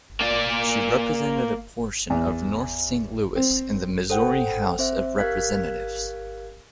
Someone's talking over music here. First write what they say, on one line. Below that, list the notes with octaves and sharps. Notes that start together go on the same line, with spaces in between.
She represented a portion of North Saint Louis in the Missouri House of Representatives.
A#3 D5
E2
C4
A4 C5 F#5 G5
C4 C5 E5
G4 A#4 F5 F#6 G#6 B6